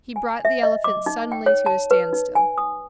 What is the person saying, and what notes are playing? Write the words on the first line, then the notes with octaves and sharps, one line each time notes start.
He brought the elephant suddenly to a standstill.
G#5
E5
D#5
D6
D#4
G5
C#5
A5
B4
D#4
G#5
D#6